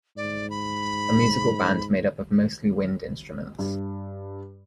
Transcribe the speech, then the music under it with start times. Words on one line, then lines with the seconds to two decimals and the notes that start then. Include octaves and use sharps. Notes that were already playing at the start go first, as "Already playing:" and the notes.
A musical band made up of mostly wind instruments.
0.17 G#2 D5
0.50 B5
3.59 G2